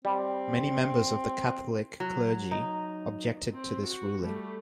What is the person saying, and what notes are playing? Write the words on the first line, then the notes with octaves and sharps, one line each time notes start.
Many members of the Catholic clergy objected to this ruling.
G3 C4
F#3
D#4
C4
F#4
G3 A3